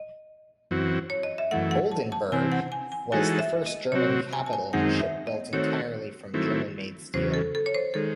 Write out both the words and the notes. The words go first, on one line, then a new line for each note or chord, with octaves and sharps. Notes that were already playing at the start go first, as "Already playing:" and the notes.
"Oldenburg" was the first German capital ship built entirely from German-made steel.
Already playing: D#5
F#2 E3 C4 F#4
C#5
D#5
E5
F#2 E3 A3 F#5
F#5
A5
A5
C3 E3 C4 G#5
F#5
G#5
G#5
E3 G#3 D#4 F#4 A4 G#5
E5
D#5
C3 F#3 C4 F#4 C#5
G#5
A5
G#5
F#2 D#3 G#3 C4 D#4 F#5
E5
D#5
D#3 A3 C4 F#4 C#5
D#3 F#3 A3 C4 E4
E2 C#3 F#3 C5
A4
A4
C#5
C5
D#3 G#3 A4